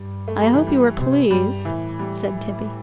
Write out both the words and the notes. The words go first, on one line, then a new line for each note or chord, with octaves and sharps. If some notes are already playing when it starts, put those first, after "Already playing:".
"I hope you were pleased," said Tibby.
Already playing: G2 G3
A3
G3
E3
G3
C3
G2 G3
A2 E3
G3
A2